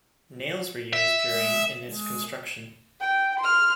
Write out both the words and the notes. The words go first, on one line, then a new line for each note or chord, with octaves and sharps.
Nails were used during in its construction.
E5
G5
C6 F6